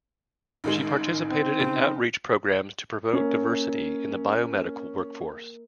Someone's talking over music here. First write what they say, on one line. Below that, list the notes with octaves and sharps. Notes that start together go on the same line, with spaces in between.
She participated in outreach programs to promote diversity in the biomedical workforce.
A1 D#3 G#3 D#4
C4
C#3
A#3 C#4 A#4